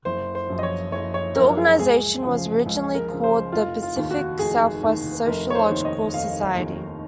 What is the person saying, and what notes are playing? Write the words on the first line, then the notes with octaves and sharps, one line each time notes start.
The organization was originally called the Pacific Southwest Sociological Society.
F#1 C5
C5
F#2 F3
D#5
C#5
F#1 C#5
C#5
F#2 F3 A#4
G#4
C#2 G#4
C#3 F3
C#2
A#4
C#3 F3
C5
F1 F4
F4
D#2 D#3
F#4
F1 G#4
D#2 D#3
F1 A#4
C#5
C5
D#2 D#3
D#5
F1 F5
D#2 D#3